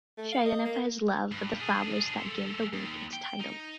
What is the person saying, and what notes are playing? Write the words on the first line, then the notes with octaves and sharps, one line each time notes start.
She identifies love with the flowers that give the work its title.
A3
F5
D#5
A#3
G2
D4 G#4
G#3 A4
D#2
G5
D#4